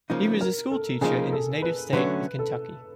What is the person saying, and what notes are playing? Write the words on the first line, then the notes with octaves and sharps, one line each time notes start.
He was a school teacher in his native state of Kentucky.
C#3 F3 A#3 D#4
A#4
A4
C#3 F3 A#3 D#4 G#4
A4
B4
D3 F#3 A3 C#4 B4
A4